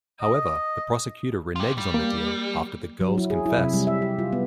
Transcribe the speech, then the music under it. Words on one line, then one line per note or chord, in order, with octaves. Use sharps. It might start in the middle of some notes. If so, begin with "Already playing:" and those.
However, the prosecutor reneges on the deal after the girls confess.
D#5
F4 G4
G3
A#3
F#3
E4
G#4
E4
C3
G3
E5
G4
F4
B3